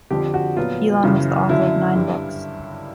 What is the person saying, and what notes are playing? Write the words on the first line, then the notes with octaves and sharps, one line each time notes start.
Elon was the author of nine books.
F2 D3 F3 G4
F#4
A#2 F#3 B3 F4
F#2 C#3 E3
F#2 D3 F#3 E4
G2 D3 G3